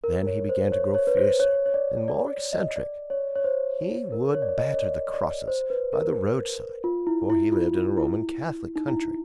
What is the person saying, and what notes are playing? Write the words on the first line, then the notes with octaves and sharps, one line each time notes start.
Then he began to grow fiercer and more eccentric; he would batter the crosses by the roadside; for he lived in a Roman Catholic country.
A#4
C#5
C5
C#5
C#5
B4
C5
C#5
C#5
D5
D5
D#5
D5
C#5
C#5
C5
A#4
C#5
D5
C#5
D#5
C#5
D5
D5
C5
B4
A#4
F4
E4
E4
F4
F4
E4
D#4
E4